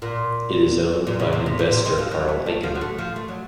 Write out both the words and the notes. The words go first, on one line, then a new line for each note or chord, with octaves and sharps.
It is owned by investor Carl Icahn.
A#2
A#2
C#3
C3
A2
A#2
C3
D#3
F3
F#3
A3
A3
F3
F#3
A3
F3
A3
F#3